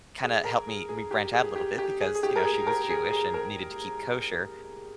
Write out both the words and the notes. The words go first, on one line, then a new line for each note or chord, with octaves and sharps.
kinda helped me me branch out a little bit because, you know, she was Jewish and needed to keep kosher.
G#4
A#4
G#4
G#4
G4
G#4
G4
G4
G#4
G#4
G4
A#4
G#4
A#4
G#4
G#4
A#4